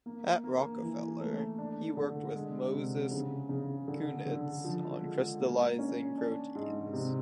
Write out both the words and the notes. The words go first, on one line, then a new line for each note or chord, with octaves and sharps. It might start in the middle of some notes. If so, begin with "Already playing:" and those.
At Rockefeller, he worked with Moses Kunitz on crystallising proteins.
A#3
A#3
E3
A3
D4
D3
G#3
C3
C#3
C#3
D3
D3
F3
G#3
A#3
C#4
D4
G#2
C3